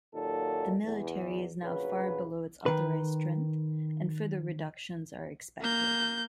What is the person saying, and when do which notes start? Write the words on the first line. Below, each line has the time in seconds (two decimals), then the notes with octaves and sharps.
The military is now far below its authorized strength, and further reductions are expected.
0.14 D#2 A#2 F#3 D#4 A4
0.85 E2
1.63 A#1 C#3 F#3 B4
2.66 D#3 B4
5.61 A#3 G6